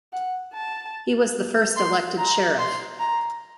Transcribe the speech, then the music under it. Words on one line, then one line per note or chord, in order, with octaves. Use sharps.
He was the first elected sheriff.
F#5
A5
C6
A#5
C6
A#5